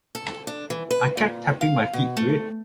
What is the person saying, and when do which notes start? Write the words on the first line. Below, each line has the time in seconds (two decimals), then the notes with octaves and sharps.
I kept tapping my feet to it.
0.15 A4
0.47 D4
0.70 E3
0.91 B4
1.17 A#2
1.61 F5
1.93 B2
2.17 A3